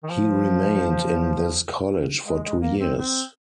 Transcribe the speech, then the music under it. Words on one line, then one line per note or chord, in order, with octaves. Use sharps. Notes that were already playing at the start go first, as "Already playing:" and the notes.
He remained in this college for two years.
D#3
F3
G#3
G#3
A#3
C4
C4